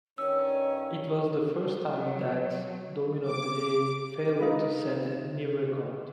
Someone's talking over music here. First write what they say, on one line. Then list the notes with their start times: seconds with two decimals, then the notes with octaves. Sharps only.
It was the first time that Domino Day failed to set a new record.
0.18 G2 D#3 C#4 C#5 E6
1.90 F#3
3.27 D6
4.40 D#4 F4 B4